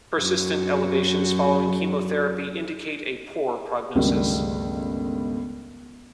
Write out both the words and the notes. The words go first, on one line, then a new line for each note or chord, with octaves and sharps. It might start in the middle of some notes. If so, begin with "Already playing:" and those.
Persistent elevations following chemotherapy indicate a poor prognosis.
F#2 F#4
G1 C#2 G2 D#3 A3 F#4